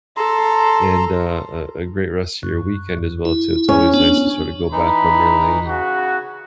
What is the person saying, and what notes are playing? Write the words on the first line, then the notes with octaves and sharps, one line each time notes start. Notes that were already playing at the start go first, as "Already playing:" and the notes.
and, uh, a a a great rest of your weekend as well too. It's always nice to sort of go back memory lane and
A4 A#5 C6
F#2
E4
C#4
B3 D4
E3 D#4 B5
C#3 F#4